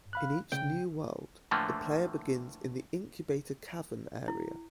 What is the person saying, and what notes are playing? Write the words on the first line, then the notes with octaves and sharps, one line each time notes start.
In each new world, the player begins in the incubator cavern area.
F5 B5 F#6
C#3 G5
A2 D3 E3 F3 A3 A#3
E4